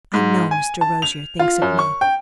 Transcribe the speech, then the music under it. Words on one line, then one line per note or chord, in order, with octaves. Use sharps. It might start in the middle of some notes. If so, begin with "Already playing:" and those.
"I know Mr. Rosier thinks of me."
G#2
G#5
A5
F7
F4
F#2
C#6
G5